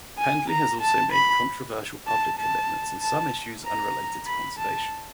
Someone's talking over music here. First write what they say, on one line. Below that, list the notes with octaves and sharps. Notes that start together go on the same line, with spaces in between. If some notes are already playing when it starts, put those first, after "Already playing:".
Pendley has also made controversial public comments on some issues unrelated to conservation.
G#5
A#5
A5
B5
A5
A5
A5
A#5
B5
A5